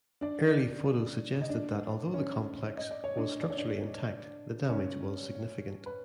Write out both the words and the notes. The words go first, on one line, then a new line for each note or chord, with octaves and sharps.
Early photos suggested that although the complex was structurally intact, the damage was significant.
D4 D5
D#5
D4 D5
C#4 C#5
D#5
D5
C#5
D4 D5
D5
C#5
D4 D5
C#4 C#5
B4